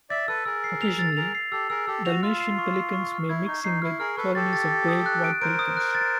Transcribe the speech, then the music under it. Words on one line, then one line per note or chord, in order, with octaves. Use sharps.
Occasionally, Dalmatian pelicans may mix in with colonies of great white pelicans.
D5 E5 A6
A4 B4 E6
G#4 A#4 E6
C7
F7
A6
G#4 A#4 F7
C7
G4 A4 E6
G#4 A#4 E6
G4 A4 E6
F#4 F7
F4 F6
C7
C#6
C7
C#6
F6
E4 G#6
D#4 C#6
D#4 C7
E4 F6
G#4 A#4 F6
A4 B4 C#6
G4 A4 A6
A6
A6
D#6
F#6
D7
A#4 C5 D7
D#6
F#6
A6